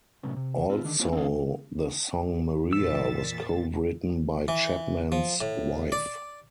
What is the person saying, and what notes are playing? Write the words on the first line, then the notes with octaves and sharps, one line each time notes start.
Also, the song "Maria" was co-written by Chapman's wife.
A2 C3 F#3 B3 C#4
C3
C4 F4
D3 D#3 D4
A#3 B3 F4 C5 C#5
C4 D4 F5
F2 A#2 E3 E6 A6
E3
F3
A2
D5